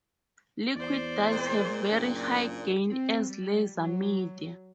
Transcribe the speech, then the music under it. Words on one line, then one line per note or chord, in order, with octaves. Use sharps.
Liquid dyes have very high gain as laser media.
E2 C5 D5
A#2 G#3 A#3 C4
F#1 D4 F4
C4
G3
F#3